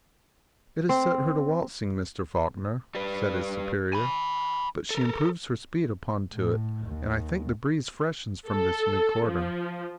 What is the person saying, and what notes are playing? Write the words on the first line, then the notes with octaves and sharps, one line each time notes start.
"It has set her to waltzing, Mr. Faulkner," said his superior; "but she improves her speed upon to it, and I think the breeze freshens from this new quarter."
C4
G3 B4
G#5 B5
A4 A#4
A2
D#2
A4
F3